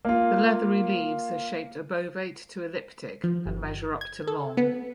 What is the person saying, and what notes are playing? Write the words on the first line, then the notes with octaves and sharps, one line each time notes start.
The leathery leaves are shaped obovate to elliptic and measure up to long.
A#3 F4
F3
G1
G#6
A4
B3